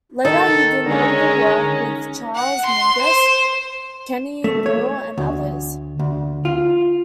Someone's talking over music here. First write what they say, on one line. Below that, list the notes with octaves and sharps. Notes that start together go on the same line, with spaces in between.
Later he did notable work with Charles Mingus, Kenny Burrell, and others.
D#3 D#4 A4
D3 G#3 C#4 A#5
F#5
C6
C5
A3
C#5
D2
D2
F4